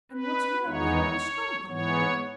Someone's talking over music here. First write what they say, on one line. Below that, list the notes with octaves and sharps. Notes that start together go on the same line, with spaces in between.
And what's more,--with one scull gone.
B4
E2 D#3 G#3 B3 D#4 C#5
G#2 E3 B3 C#5